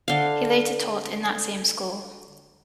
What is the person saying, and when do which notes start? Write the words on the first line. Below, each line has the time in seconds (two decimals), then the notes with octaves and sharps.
He later taught in that same school.
0.08 D3 F5